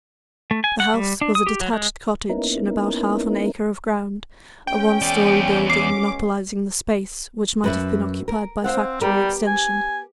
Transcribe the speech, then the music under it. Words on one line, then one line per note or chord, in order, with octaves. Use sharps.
The "house" was a detached cottage in about half an acre of ground, a one-storey building, monopolising the space which might have been occupied by factory extension.
A3
G#5
F#5
G3
D4
D#6
G4
F#3
G#3
A#3 B3 C#4 D#4 E4 A#4
B2 G#3 C#4 G5
E2 D5
D6 C7
F#2 B4 E5
A#4
C4 C5 F5 F#5
G3 B3 G4 A#4
G#5